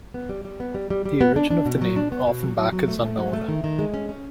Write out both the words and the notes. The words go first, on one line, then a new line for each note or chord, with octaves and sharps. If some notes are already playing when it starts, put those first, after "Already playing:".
The origin of the name Ofenbach is unknown.
B3
G3
G3
B3
G3
G3
G3
B3
D4
D4
B2
F#3
D4
B3
B2
F#3
F#3
F#3
A3
A3
F#3
A3
D#3
D#3
G#3
C#4
C#4